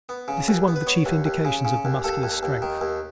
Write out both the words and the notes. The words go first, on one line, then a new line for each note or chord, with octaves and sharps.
This is one of the chief indications of the Muscular's strength.
B3
C#3
D#2
B3
B4
B3 C#5
D#2
D#2
C#3
C#3
D#2
D#2 A4
D#2
D#2
D#3
D#2